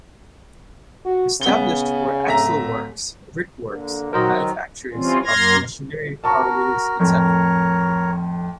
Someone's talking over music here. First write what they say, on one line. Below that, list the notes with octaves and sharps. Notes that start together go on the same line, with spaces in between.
Established were axle works, brickworks, and manufactories of machinery, car wheels, etc.
F#4
C#3 B3 G7
D1 E5 A#5
D3 A#3
D#3 F#3 F#4 A#4 C5 D#5
E3 G3 C4 C#4 F4
F#2 A#3 C6 F6 G#6 A#6
F#4 A#4 A5 C#6
F2 A2 A#4 C#5